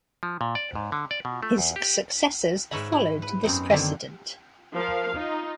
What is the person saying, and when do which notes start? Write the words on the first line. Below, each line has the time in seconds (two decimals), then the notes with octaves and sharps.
His successors followed this precedent.
0.23 F3
0.41 A#2
0.55 D5
0.75 G#2
0.92 D3
1.11 D5
1.25 B2
1.43 A3
1.58 E2
1.76 G4
2.71 G#2 B4 C#5 E5 A#5 B5
2.92 E4
3.22 B4
3.43 F#2 B3 C4 D#4
3.70 D3 D#3 A#3 C4
4.75 F3 A#4 F5
5.16 D#4 F4